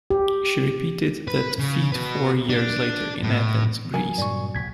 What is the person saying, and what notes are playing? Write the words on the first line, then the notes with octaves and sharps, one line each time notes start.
She repeated that feat four years later in Athens, Greece.
G4
B4
C#3
F#4 B4
D4
A2
F#3 A#4 G#5
G2 A#2 C#3 D5 C#6
D#1 A#1 G#6 B6